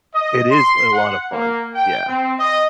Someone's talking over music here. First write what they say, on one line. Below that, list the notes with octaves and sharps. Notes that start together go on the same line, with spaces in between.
It is a lot of fun. Yeah.
D#5
C6
F#5
A#3
G5
C4
D#5